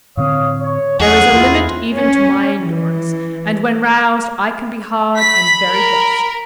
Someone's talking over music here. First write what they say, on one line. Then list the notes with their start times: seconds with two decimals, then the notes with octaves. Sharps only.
There is a limit even to my endurance, and, when roused, I can be hard and very just.
0.17 A2 D3 C4 C#5 F5 D#6
0.62 C#5
1.00 F#1 E2 A2 A3 C#4 G#4 F#5
1.33 E2 E4 F4
1.98 C#4
2.58 E3
5.16 B5 B6
5.66 A#4